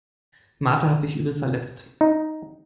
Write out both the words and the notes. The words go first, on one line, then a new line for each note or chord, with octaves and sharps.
Martha hat sich übel verletzt.
D#4